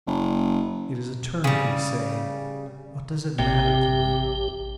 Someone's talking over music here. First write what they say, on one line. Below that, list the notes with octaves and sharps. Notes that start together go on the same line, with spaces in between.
It is Eternity saying, "What does it matter to me?"
F#1
C#3 G3
A1 C3 G4